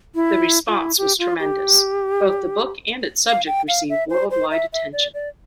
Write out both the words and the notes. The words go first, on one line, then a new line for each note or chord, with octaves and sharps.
The response was tremendous; both the book and its subject received worldwide attention.
E4
F4
E4
G4
F4
G4
F5
G5
F5
E5
C5
C5
E5
E5
D5
D5